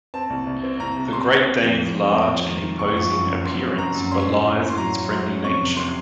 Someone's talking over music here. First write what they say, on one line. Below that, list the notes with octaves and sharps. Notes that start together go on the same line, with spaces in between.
The Great Dane's large and imposing appearance belies its friendly nature.
C4 A5
C2
C2
C4
C2 A#5
C3
C3 C6
C3
C4
F2
F2
F2
C4
F2
D#3
D#3
F#1 C#6
F3 C#6
F#2 C#6
F#2
F#2 C6
C4
F#2 A#5
F#2
C#4 C6
A2
A2
A2
C6
F#3 A#5
F#3
F#3 C6
C#4
F2 C#6
C3
C3 C6